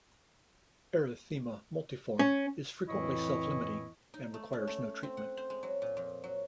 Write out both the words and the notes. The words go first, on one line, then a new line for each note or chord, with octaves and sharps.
Erythema multiforme is frequently self-limiting and requires no treatment.
C#4
F2 A2 E3 E4 D#5 C#6
D#4
A3
C#4
A3
C4
F#5
C5
G#3
F#3
A#2
F2
F#3